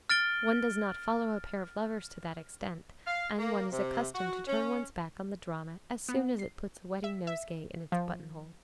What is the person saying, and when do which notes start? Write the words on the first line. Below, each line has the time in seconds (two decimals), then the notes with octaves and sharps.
One does not follow a pair of lovers to that extent, and one is accustomed to turn one's back on the drama as soon as it puts a wedding nosegay in its buttonhole.
0.09 F6 A6 D7 G7
3.06 F5
3.38 A#3
3.72 C3
4.15 F#4
4.47 C#4
6.09 B3
6.39 C7
7.04 E5
7.27 E5
7.92 F3